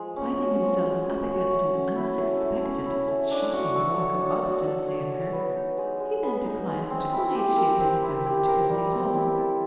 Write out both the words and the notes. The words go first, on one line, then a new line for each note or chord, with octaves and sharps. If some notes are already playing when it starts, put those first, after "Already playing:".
Finding himself up against an unsuspected, shocking rock of obstinacy in her, he then declined to believe she had been invited to Italy at all.
Already playing: F3 G#3
C#4
F#4
F3
G#3
C#4
F#4
A3
C#4
E4
A3
A3
C#4
E4
A3
D4
F#4
A4
C#5
D4
F#4
A4
C#5
G#3
B3
D#4
G#3
G#3
B3
D#4
G#3
C4
E4
G4
A#4
C4
E4
G4
A#4
G3
C4
E4
A4